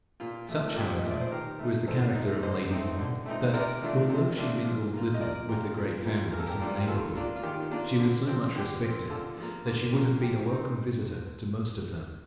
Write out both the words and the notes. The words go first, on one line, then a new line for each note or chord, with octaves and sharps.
Such, however, was the character of lady Vaughan, that, although she mingled little with the great families in the neighbourhood, she was so much respected, that she would have been a welcome visitor to most of them.
A#2 F4
F3 A3
A4
A#2 G4
D#5
F3 A3
D5
C5
D#3 G4 A#4
A3 D#4
D#3 A4 C5
D#4
A3
D3 C5 D#5
A3 C4 D#4
D3
A3 C4 D#4
C3 A#4 D5
D#3 A3 D4 F4
C3
D#3 A3 D4 F4
F3
A#3 F4
D#5
F3 A#4 D5
A#3 F4 G4 A#4
A#2
G3 A#3 D4 F4
A#2 A#4
A4
G4 A#4
G3 A#3 D4 F4
F4
G4
D#3 F4 A4
A#3 D4 F4
F4
D#3 G4
A#3 D4 F4
D3
F3 C4
D3 G4
F3 C4
D3 F4 A4
F3 A#3
D3
F3 A#3
F3 G4
C4 D#4